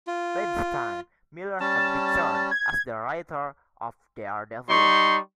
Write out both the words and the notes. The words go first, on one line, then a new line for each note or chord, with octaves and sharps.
By this time, Miller had returned as the writer of "Daredevil".
F4
G3 C#4 A5
G#6
G3 D#4 C6 C#6